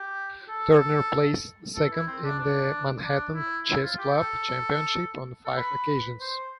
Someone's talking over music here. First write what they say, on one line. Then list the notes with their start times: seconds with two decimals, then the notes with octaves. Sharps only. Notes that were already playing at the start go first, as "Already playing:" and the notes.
Turner placed second in the Manhattan Chess Club championship on five occasions.
Already playing: G4
0.49 A4
1.75 A4
1.91 E4
2.07 C4
2.23 D4
2.39 D4
3.03 D4
3.34 E4
3.66 E4
3.83 F4
3.98 G4
4.13 A4
5.45 A4
5.57 B4
6.21 C5